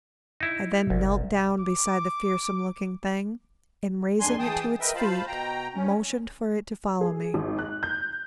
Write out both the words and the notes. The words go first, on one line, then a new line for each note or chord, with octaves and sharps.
I then knelt down beside the fearsome-looking thing, and raising it to its feet motioned for it to follow me.
D#4 E4
G1 C2
D6
F2 G#2 D4 G#5 C6
E3 G#4 G5 A5 D#6
A#4 B4 D#5 E5 G5
F4 C5 F5 A5 B5
B2 G5 A#5
G2 C#4
G#4
G#1
F#6
G6